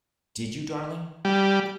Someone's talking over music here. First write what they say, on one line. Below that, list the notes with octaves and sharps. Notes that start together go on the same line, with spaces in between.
Did you, darling?
G3